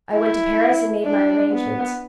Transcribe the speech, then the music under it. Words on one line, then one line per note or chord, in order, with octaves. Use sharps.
I went to Paris and made my arrangements.
E4
D4
B3